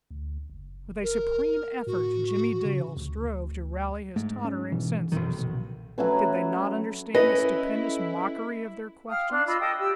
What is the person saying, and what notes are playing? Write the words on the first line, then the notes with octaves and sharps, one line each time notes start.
With a supreme effort, Jimmie Dale strove to rally his tottering senses. Did they not understand the stupendous mockery of their questions?
D2
F#1
A#4
A2 F#4
C#3
D2
G#2 A3
C#4
B2 E3
B1 F#2 C3 D#3 E3 F#3
A#1
F#3 A3 C#4 B4
C#4 E4 A4 B4 C#5 D#5
F5 G5 D#6 F6
D4 C6
F4 D#5 B5 E6
A4 D#5 G5 D#6
G4 E6